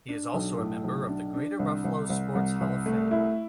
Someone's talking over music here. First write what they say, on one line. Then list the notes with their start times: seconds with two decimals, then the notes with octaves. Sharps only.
He is also a member of the Greater Buffalo Sports Hall of Fame.
0.08 D4
0.34 B1
0.59 A2
0.84 B1
1.08 D4
1.34 D4
1.59 C2
1.84 C2
2.10 C2
2.35 C2
2.61 C2
2.86 A3
3.11 E4